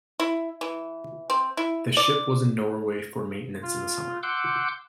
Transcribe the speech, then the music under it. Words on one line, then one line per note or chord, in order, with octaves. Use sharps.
The ship was in Norway for maintenance in the summer.
E4
E3
C4
E4
D5
F4
F#5 C6 D6 E6 F#6 G6